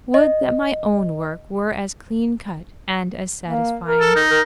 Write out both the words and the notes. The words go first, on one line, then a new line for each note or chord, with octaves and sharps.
Would that my own work were as clean-cut and as satisfying.
D#5
A#3
A#4
A4
D#4
A#4